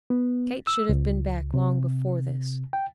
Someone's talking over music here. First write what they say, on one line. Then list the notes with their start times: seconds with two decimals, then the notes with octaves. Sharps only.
Kate should have been back long before this.
0.10 B3
0.67 E6
0.89 C#2
1.54 C3
2.73 G5